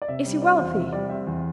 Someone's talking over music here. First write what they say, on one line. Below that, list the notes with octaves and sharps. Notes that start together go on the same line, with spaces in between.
Is he wealthy?'
D5
C3 E5
G3
C4 D5
E2 C5
C3 E5
G3 D5
C4 E5
E2